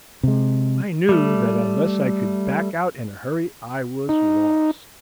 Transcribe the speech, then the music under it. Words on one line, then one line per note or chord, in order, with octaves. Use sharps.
I knew that unless I could back out in a hurry, I was lost.
C3 G#3
G3 A3
D#4